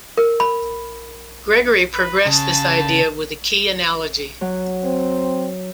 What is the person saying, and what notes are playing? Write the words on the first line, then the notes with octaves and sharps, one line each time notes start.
Gregory progressed this idea with a key analogy.
A#4
B5
B4
C#3 A5
F#3
C4